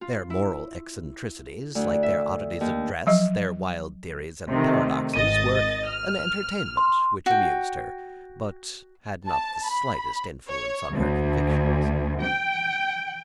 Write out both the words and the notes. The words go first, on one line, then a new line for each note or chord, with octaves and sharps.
Their moral eccentricities, like their oddities of dress, their wild theories and paradoxes, were an entertainment which amused her, but had not the slightest influence on her convictions.
F4
E4
D2
E5
D#2
F3 F#3 D#5
C3 D#3 A3
G#1 D#5 A6 D#7
F6
C6
F#4 G5
A5
B5
C#5
D2
G5